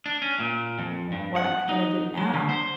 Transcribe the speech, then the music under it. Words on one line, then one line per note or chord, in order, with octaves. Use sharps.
"What am I gonna do now?"
D4
C#4
A#2
F2
G2
F#5
D#4
F#3
D3
C5